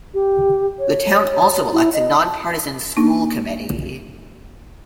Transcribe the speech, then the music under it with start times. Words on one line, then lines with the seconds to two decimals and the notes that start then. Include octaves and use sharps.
The town also elects a non-partisan school committee.
0.14 G4
0.79 C#5
1.72 E4
1.94 D#5
2.22 A5
2.97 A#3 D4 D#4